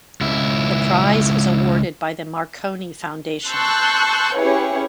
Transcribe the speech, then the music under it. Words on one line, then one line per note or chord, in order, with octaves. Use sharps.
The prize is awarded by the Marconi Foundation.
C#2 E4
A5 C6 C#6 E6 F#6 G6
C#4 E4 G4 G#4 B4 C#5